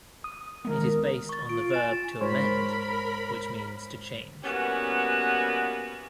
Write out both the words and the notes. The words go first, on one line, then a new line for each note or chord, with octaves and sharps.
It is based on the verb to amend, which means to change.
D#6
D#3 G#3 B3 A#4
C#6 A6
F4 D7
G#5 A6 E7
G#2 A#4 C5 C#5 B5
E3 G3 A#3 B3 C#4 F#4